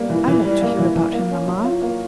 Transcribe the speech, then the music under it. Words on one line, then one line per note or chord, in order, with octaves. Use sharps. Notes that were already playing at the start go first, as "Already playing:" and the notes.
'I love to hear about him, mamma.
Already playing: G3 A#3
E3
E3
G3
A#3
E3
E3
A#3
C#4
F#3
F4
A#3